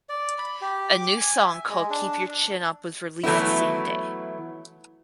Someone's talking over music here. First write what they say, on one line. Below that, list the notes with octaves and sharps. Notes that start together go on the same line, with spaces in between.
A new song called "Keep Your Chin Up" was released the same day.
D5
B5
G4
D6
G#5
E5
G#3
D4
E3 F#3 A3 B3 E4